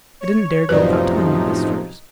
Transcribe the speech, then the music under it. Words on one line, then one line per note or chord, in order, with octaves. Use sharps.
I didn't dare go without telling you this first.
C#5
B1 F#2 A2 C3 F3 D#4 B4 D5